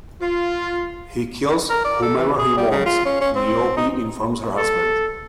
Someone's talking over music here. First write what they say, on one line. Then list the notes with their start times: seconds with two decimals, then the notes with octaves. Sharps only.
"He kills whomever he wants," Niobe informs her husband.
0.21 F4
1.70 A#4
1.84 D5
2.02 A4
2.18 E3
2.38 G#4
2.57 G3
2.71 C#3
2.86 F4
3.05 C#4
3.21 C#4
3.35 C4
3.77 D#4
4.57 A4